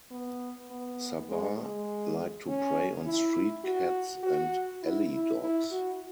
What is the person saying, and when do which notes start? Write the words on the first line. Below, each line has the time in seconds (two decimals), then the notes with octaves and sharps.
Sabaw like to prey on street cats and alley dogs.
0.11 B3
0.71 B3
1.29 G#3
1.59 G#3
2.47 C#4
3.05 E4
3.64 F#4
4.23 F#4
4.83 E4
5.11 E4
5.41 E4
5.71 F#4